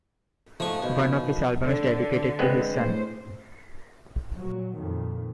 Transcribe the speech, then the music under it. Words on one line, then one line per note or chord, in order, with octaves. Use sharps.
One of his albums is dedicated to his son.
G#2 F3 A3 C#6
B2 D#3
D3
G#3 B3 C4
A2 C5
A#2 F#3
F2 A#2 D#3